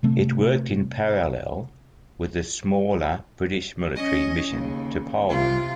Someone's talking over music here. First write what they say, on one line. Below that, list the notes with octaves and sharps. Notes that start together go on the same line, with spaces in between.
It worked in parallel with the smaller British Military Mission to Poland.
C3 A3 C4
C#4 D#5
D#2 C#3
C3 F4